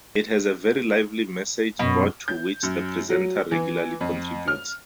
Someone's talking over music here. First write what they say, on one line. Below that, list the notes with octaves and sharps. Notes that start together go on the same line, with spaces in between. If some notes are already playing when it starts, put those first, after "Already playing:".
It has a very lively message board to which the presenter regularly contributes.
F#2 B2
G6
F#2
F#3
E3
F2
F6